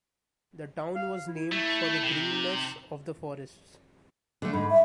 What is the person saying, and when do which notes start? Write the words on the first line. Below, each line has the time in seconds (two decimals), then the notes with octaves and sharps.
The town was named for the greenness of the forests.
0.95 F5
1.28 E4
1.52 A3
2.03 C3
2.31 D#4
4.42 D3 A3
4.53 G#2 B5
4.70 E5